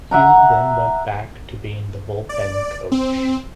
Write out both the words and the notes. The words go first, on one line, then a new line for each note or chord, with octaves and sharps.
Hume then went back to being the bullpen coach.
E5 F#5 A#5
D5
C4